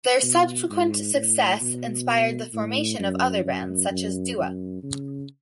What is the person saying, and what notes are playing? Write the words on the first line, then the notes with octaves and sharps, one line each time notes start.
Their subsequent success inspired the formation of other bands, such as Dewa.
B2
G#2
A2
B2
A2
F#2
F#2
F#2
F#2
C#3